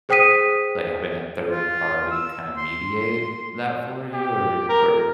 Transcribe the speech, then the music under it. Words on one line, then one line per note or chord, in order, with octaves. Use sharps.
like, having a third party kinda mediate that for you, or or,
G#4 C5 G5 D#6 B6 D#7
F4
E6
C6
G4
A#4